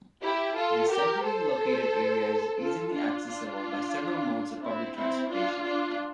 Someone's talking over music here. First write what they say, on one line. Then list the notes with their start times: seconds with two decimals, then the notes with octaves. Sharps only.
This centrally located area is easily accessible by several modes of public transportation.
0.22 E4 G4
0.55 F4 A4
0.89 G4 A#4
1.23 A4 C5
2.58 F4 A4
2.92 D4 F4
3.26 D4 F4
4.61 C4 E4
4.95 C4 E4
5.29 D4 F4
5.62 D4 F4